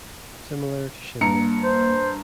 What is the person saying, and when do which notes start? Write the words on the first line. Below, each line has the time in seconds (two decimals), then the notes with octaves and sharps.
Similar to Shindig!
1.21 G2 A#3 A#5 C#7
1.64 C5